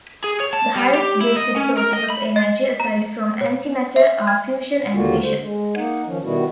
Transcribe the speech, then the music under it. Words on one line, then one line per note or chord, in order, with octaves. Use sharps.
The highest density sources of energy aside from antimatter are fusion and fission.
G#4
C#5
A5
G3
G4
E4
D#5
C#4
A#4
D#5
B5
D#5
A#5
C#5
E5
G#6
D#2 D3 G3 A#3 F4 F#4
D3 C5
G#3
A#3 D#4 F#5
D#3 F3 C#4
B2 D#3 G3 B3 E4 F#4